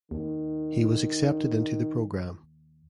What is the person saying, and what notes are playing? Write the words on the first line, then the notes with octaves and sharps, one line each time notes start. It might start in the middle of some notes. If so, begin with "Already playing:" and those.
He was accepted into the program.
D#2 D#3